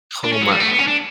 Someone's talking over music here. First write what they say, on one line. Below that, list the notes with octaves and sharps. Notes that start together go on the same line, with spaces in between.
Oh my
D4
C#4
F#3
G3
A3
B3
C#4
D4